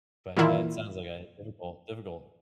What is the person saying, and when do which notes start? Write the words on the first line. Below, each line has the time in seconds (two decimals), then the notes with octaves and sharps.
but that sounds like a difficult, difficult
0.37 A#2 D#3 E3 A#3 E4 F4